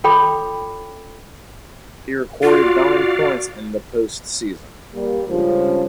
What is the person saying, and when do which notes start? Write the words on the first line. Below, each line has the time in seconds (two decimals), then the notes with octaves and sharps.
He recorded nine points in the post-season.
0.04 F4 A4 C#5 G5 B5 D6
2.43 F4 F#4 D5 F5
4.95 G3 A#3
5.28 C#2 G2 C#3 F3